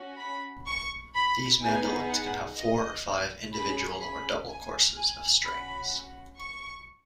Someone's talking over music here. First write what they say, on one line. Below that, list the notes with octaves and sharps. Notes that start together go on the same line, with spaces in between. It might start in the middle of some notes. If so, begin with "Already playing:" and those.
These mandolins can have four or five individual or double courses of strings.
Already playing: C#4 F#4
B5
C#6
B5
B3 D#4 G#4 G#5
F#5
D#5
C#4 G#4 B5
B5
G#5
G#5
C#4 F#4 B5
C#6